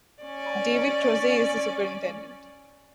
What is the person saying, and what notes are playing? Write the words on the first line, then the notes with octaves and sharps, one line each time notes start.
David Kroeze is the Superintendent.
C#4 D5